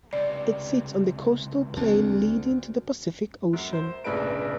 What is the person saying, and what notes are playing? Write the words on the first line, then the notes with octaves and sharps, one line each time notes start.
It sits on the coastal plain leading to the Pacific Ocean.
C#2 C3 D5
D2 C4
F#2
C5
F1 A#1 C#3 D4 B4 D7